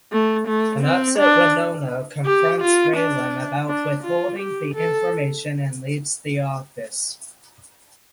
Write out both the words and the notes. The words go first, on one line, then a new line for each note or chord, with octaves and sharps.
An upset Winona confronts Raylan about withholding the information and leaves the office.
A3
A3
C4
D4
G4
F4
D4
D4
F4
G4
A4